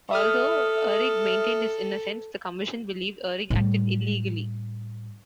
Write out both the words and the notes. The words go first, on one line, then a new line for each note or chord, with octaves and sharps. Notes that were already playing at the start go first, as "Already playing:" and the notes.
Although Uhrig maintained his innocence, the Commission believed Uhrig acted illegally.
A4 E5 D#6 F6
A2 G3